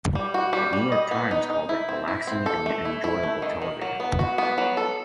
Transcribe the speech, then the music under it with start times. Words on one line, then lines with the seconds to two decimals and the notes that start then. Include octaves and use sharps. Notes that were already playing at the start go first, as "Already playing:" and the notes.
The "New York Times" called it "relaxing and enjoyable television".
0.15 G3
0.34 F#4
0.53 G3
0.73 G3
0.92 D#5
1.11 B3
1.31 D#4
1.50 D#4
1.69 E4
1.89 C4
2.08 E4
2.27 C4
2.46 A4
2.66 A3
2.85 E4
3.04 E4
3.23 A3
3.42 D#3
3.62 D#3
3.81 F#3
4.00 B3
4.19 F#4
4.38 B3
4.58 F#3
4.77 A4